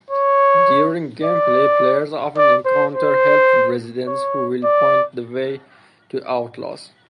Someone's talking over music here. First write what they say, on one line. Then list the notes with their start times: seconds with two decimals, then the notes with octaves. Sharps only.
During gameplay, players often encounter helpful residents who will point the way to outlaws.
0.10 C#5
1.24 D5
2.37 D5
2.65 C5
2.94 C5
4.07 C#5
4.64 D5